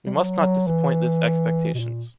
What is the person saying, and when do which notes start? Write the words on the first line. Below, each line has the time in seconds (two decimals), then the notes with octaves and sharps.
We must not disappoint this expectations.
0.07 G3
0.10 F#3
0.39 F#3
0.67 E3
1.74 B2
1.79 A#2